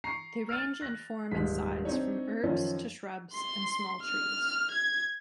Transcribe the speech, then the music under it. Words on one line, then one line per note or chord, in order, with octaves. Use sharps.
They range in form and size from herbs to shrubs and small trees.
A#5 C#6 C7
F6 A6
F#6 A#6
D#1 G#2 G#3 B6
C4 D4 D#4 C#5
F#2 D#3 F3 C#4 D#4 F4
C6
F6
G#6